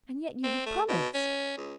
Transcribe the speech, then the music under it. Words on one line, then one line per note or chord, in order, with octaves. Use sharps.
"And yet you have promised?"
C4
A3
B2
C#4
C#2